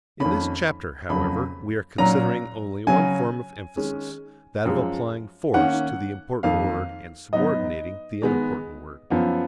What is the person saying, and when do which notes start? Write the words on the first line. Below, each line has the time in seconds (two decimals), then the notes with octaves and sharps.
In this chapter, however, we are considering only one form of emphasis: that of applying force to the important word and subordinating the unimportant words.
0.20 F2 D#3 A#3 C#4 B5
1.09 F2 C#3 F#3 A#3 B5
1.98 A#2 F#3 C#4 A#5
2.87 C#3 F#3 C#4 G#5
3.77 D#3 G#3 C#4
4.66 F#2 F3 G#3
5.54 D#3 A#3 C#4 F#5
6.43 F2 D#3 A#3 F5
7.33 G#2 F#3 B3 D#4 D#5
8.22 D#3 G#3 B3
9.10 F#2 F3 B3